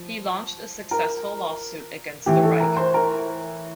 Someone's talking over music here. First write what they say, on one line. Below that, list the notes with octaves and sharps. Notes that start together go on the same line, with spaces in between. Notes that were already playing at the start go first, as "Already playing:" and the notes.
He launched a successful lawsuit against the Reich.
Already playing: F3
A#4
A2 E3 G4
A4
A#4
C5
A#4